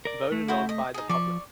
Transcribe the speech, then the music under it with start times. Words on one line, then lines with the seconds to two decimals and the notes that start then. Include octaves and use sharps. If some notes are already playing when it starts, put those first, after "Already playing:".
Voted on by the public.
0.05 A#4 D5
0.32 A3
0.48 E4 F#4 C5
0.69 D#5
0.94 D#4 G#4
1.09 F3 D5 C#6